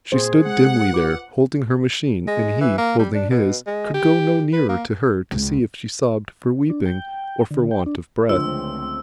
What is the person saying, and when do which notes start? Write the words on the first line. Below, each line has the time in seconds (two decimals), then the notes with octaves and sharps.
She stood dimly there, holding her machine, and he, holding his, could go no nearer to her to see if she sobbed for weeping or for want of breath.
0.12 A#2 G#4 C5
0.46 G#3 F#5
0.93 F4 B4 D6
2.27 G#3
2.61 E3
2.78 A#3
2.99 G3
3.14 D4
3.31 B2
3.66 G#3
3.94 G4
4.53 B4
4.69 A#3
5.32 C#2
6.70 D4
6.86 G5
7.51 D3
7.71 G5
7.86 D4
8.29 C#2 D3 F3 A3 C4 D4 F4 E6